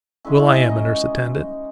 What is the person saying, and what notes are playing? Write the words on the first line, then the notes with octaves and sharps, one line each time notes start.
Well, I am a nurse-attendant.
C#3 G#3 E4 E5
C#5
D#4 D#5
D#4 D#5